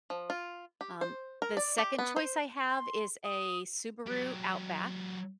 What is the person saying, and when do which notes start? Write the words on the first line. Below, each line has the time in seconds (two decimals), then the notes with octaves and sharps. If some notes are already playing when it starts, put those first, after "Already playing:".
Um, the second choice I have is a Subaru Outback
0.10 F3
0.30 F4
0.81 G4
1.01 C5
1.42 A#4
1.57 D5
1.78 G4
1.99 B3
2.16 C5
2.70 C6
3.24 D#6
4.07 F#3 G4